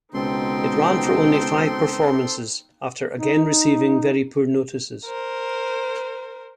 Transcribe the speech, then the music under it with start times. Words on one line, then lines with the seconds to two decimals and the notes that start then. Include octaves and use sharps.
It ran for only five performances after again receiving very poor notices.
0.14 C#2 B2 C4 D#4 A4 G5 C6
3.16 D#4
5.05 A#4 C5